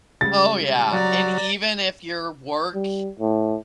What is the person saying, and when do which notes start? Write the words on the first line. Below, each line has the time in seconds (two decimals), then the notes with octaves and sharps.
Oh, yeah, and even if your work
0.21 C#3 G3 G#3 A6
0.93 F#3 D5 A#5
2.74 G3
3.19 A2